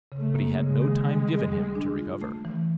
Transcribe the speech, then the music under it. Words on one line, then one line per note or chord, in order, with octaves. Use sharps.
But he had no time given him to recover.
C#3
A3
A#3
G#3
C#3
D#3
G3
G3
G3
D4
F4
A3
E3